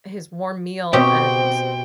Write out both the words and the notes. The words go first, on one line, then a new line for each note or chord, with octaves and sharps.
his warm meal and
B2 C4 G4 C5 G5